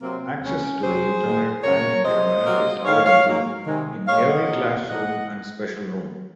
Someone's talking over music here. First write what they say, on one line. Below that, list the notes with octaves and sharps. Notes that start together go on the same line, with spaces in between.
Access to the Internet and Intranet is available in every classroom and special room.
C3 F#3 A#3 C4
D#2 C#3 G#3 C#4
F2 C3 F#3 G#4 C5
G#2 D#3 G#3
F#2 C#3 F3 A#4 C#5
C3 F3 G#3 C5 D#5
C3 F#3 A#3
G#2 D#3 G#3 C#5 F5
C#5 F5
G#2 F#3 A#3
C3 D#3 G#3
A#2 G#3 C#5 F5
D#5 F#5
A#2 F3 A#3
G#2 F3 A#3 D#5 F#5